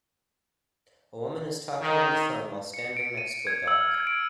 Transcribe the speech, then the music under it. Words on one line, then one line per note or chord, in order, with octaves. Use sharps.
A woman is talking on the phone while standing next to a dog.
D#3
C#7
D7
D#7
G#6
E6
F6
G#6
D7